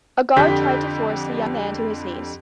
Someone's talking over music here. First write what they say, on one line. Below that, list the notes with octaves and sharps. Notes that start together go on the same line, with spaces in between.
A guard tried to force the young man to his knees.
F2 D3 G4 G6 B6